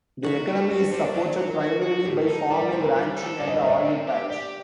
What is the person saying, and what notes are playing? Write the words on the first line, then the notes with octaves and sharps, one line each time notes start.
The economy is supported primarily by farming, ranching, and the oil patch.
D#4 F#4
D#4
A3
D4
D4 F#4
D4
D4 C5
D5
F#3 D5
D5
F#3 C5
A#4
F#4
F#4
A2 G4
G4
D#4 A4
G3 D5
D5
A2 C5
A#4
G3 C5
A4
G3 D5
D#5
D5
A2 D#5
D5
D#5
C4 D5
G4
G4 D5